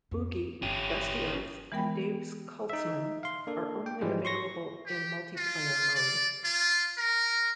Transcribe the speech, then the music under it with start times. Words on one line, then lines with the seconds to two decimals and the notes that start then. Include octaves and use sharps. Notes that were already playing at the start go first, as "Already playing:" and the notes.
Boogie, Dusty Earth, and Dave's Cultsmen are only available in multiplayer mode.
0.11 F2
0.62 G1 C#4 G4
1.72 E3 G#3 B3 A#4 G5 B5
2.70 D#4 E5
3.23 F5 C6
3.47 A#3 D4 A4
3.86 G5
4.01 G#2 E3 F3 G3 G#3
4.25 C6 C#6 A#6
4.86 G4
5.36 F4
5.95 D5
6.44 F4
6.98 A#4